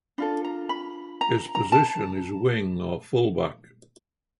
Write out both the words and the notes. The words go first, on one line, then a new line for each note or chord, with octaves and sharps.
His position is Wing or Fullback.
D4 F4 A4 B5
A#5
B5
A#5
A#5
A5